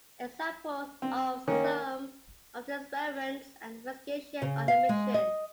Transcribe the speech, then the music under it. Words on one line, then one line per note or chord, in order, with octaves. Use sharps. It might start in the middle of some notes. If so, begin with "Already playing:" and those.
Examples of some of the experiments and investigations on the mission.
C4
D#3 A#3 C#4
C#3
F5
G#3
D#5